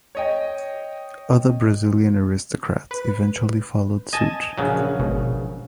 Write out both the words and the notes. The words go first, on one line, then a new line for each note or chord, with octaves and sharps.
Other Brazilian aristocrats eventually followed suit.
C#5 D#5 G5
B4
D#5 G#5 A5
A#1 C#3 F#3
G#1 B2